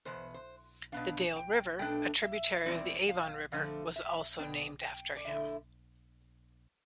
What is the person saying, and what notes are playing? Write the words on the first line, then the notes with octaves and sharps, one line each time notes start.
The Dale River, a tributary of the Avon River, was also named after him.
E2 B2 B3 C5
C5
B2 B3 D4 F5
G5
B2 A3 D4 G5
E5
E2 D3 G3 C4 E4 D5
F5
F2 D3 F3 A3 F5
E5
B2 B3 D4 G5
G5
D5
D3 A3 E4 E5